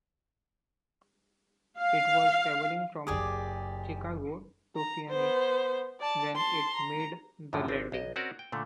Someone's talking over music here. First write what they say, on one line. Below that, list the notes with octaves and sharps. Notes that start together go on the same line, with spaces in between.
It was traveling from Chicago to Phoenix when it made the landing.
F5
F#1 G4 G#4 D5 D#6
A#5
B3 C5
D5 A5
A5 C6
A#5
F#2 A2 D3 F3 F#3
G#1 C4 D4
B1 D#5
C4 C#4 F#4 A#4 D5
G5
A#2 D3 A3